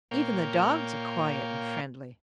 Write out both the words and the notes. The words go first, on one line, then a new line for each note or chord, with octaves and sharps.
Even the dogs are quiet and friendly.
A#2 A#3 C#5 F5 G5